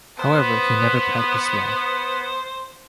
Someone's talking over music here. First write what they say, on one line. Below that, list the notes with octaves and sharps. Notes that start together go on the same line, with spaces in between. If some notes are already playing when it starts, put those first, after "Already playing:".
However, he never practiced law.
B3 C5